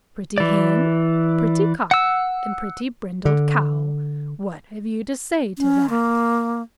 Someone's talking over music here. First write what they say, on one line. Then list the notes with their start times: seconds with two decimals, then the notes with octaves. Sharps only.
"Pretty Hen, pretty Cock, And pretty brindled Cow, What have you to say to that?"
0.38 E3 D5
1.91 F#5 E6
3.25 D3
5.58 C#4
5.90 A#3